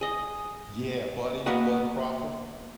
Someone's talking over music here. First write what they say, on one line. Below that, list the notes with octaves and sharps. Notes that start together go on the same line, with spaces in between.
Yeah, Buddy Bud Crawford.
G#4 D#5
A#3 B3 F#4 B4 D#5 F#5